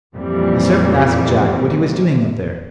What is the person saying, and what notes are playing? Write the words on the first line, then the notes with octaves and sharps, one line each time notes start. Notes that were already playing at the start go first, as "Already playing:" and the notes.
The servant asked Jack what he was doing up there.
F2 A#2 E3 G3 C4